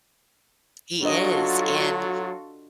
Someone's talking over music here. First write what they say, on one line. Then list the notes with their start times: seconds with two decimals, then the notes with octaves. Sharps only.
He is, and
1.03 F#3 D4 F4 F#4 A4 D#5